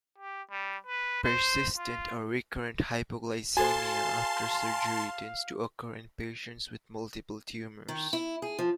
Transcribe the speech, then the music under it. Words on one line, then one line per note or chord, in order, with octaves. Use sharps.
Persistent or recurrent hypoglycemia after surgery tends to occur in patients with multiple tumours.
G4
G3
B4
C5
F4
F#4 A4 C5 F5 G#5 A5 C6
D#3
E4
G#4
F3